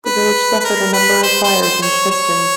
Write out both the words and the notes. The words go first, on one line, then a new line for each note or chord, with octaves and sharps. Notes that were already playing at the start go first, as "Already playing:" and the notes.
The village suffered a number of fires in its history.
B4
B4
A#4
B4
C5
C5
C5
C#5
C#5